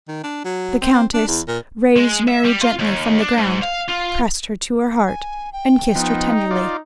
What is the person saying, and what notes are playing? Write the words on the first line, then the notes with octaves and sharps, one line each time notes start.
The Countess raised Mary gently from the ground, pressed her to her heart, and kissed her tenderly.
D#3
D4
F#3
C4
D4
E2
A#2
G#3
E5
G3
F4
D#2
D4
G#2
F5
F4
G#5
G5
F3 B3 D#4
F4 D5